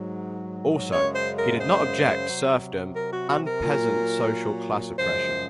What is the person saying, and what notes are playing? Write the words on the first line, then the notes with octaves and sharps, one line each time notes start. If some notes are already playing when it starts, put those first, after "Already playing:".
Also, he did not object serfdom and peasant social class oppression.
Already playing: G#2 F#3
F#2 C#3 G#3 C#5
C5
A#4
C5
C3 F#3
A#4
F#4
F#4
A#4
A#2 F#3
F#2 C#3 F3 G#3 C5